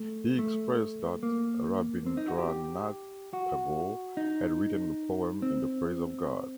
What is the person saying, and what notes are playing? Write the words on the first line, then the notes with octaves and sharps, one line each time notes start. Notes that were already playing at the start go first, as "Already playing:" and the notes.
He expressed that Rabindranath Tagore had written the poem in the praise of God.
Already playing: A3
A3
A#3
C4
D#4
F#4
G4
F#4
D#4
C4